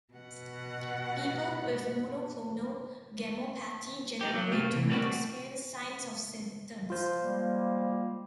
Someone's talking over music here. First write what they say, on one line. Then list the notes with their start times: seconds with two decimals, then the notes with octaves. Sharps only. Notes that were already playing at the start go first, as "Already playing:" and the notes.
People with monoclonal gammopathy generally do not experience signs or symptoms.
0.13 B2 F#5
4.21 A3 D#4 G4
4.34 F#3
4.52 C2 A#2 A3 A#3 G4
4.72 C3 E3
4.89 A#2 G3 A3 A#3 C4 F#4
6.90 F4 C5
7.20 G3 G#3 A#3